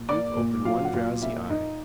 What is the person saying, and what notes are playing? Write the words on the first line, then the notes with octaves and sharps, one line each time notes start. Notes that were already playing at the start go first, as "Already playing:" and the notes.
Duke opened one drowsy eye.
Already playing: A#2
A#3 D5 D6
A#2
F#3 F4 F5
F#5
A#2 F4 F5
A#3 E4 E5
A#2 D#4 D#5